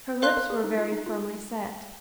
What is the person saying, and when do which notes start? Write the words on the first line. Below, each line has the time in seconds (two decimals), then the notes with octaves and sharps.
Her lips were very firmly set.
0.22 A#4 C5 F5 C6 F#6
0.37 A#4
0.50 G#4
0.64 D#4
0.78 F4
0.92 D#4
1.06 F4